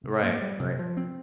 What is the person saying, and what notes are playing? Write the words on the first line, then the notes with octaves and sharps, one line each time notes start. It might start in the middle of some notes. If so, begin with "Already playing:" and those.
Right, right.
C3
A#3
G3
C3
F3
C4